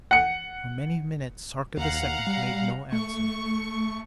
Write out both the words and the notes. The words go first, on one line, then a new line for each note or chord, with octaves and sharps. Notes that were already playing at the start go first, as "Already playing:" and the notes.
For many minutes Sarka the Second made no answer.
F#5 C#7
D#2 F5 F#5 A#5
G3
A3 C#6